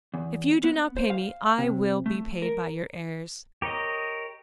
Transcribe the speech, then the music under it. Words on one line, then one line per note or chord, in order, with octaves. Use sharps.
'If you do not pay me I will be paid by your heirs.'
E2
B3
C5
F5
C3
A3
A#4
G4 A#4 C#5 D#5